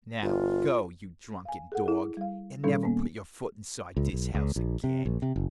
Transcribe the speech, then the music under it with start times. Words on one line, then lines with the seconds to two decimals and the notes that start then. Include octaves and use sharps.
"Now, go, you drunken dog, and never put your foot inside this house again."
0.23 G1 F4
1.45 F5 G#5
1.72 G#4 A4 F#5
1.86 E4 G#4
2.17 G3 F5
2.64 A#2 D#3 G3 C#4 D#4 A4
2.83 A#3 B3
3.96 C#2
4.13 B1
4.34 C#2
4.56 A#1
4.84 C3
5.05 A#1
5.22 C3
5.36 F#1